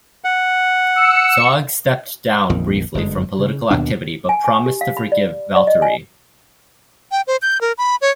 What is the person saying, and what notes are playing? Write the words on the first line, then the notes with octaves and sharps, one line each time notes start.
Zog stepped down briefly from political activity, but promised to forgive Valteri.
F#5
E6 C#7
A#1 F2 D#3
G1 F#2 G#3
C#3
D#2 B2 D4
G#5
G#5
G4
F5
B5
D5
D5
D#5
G#5
G5
C5
G6
A#4
B5
C#5